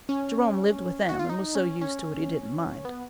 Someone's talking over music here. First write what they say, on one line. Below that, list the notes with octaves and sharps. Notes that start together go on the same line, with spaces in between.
Jerome lived with them and was so used to it he didn't mind.
C#4
F#4
F4
D#4
C#4
C#4
B3